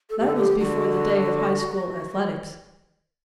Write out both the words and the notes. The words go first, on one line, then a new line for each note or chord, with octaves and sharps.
That was before the day of High-School athletics.
A4
G4
D3 A4
G4
D3 F#4